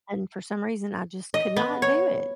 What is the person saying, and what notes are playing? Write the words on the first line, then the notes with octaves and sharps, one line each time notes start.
and for some reason, I just could not do it,
D#5
B3
C#5